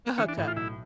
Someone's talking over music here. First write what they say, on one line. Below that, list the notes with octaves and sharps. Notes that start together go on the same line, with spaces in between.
A hookup.
E3 C#4
D4
A2
F4
B1 E4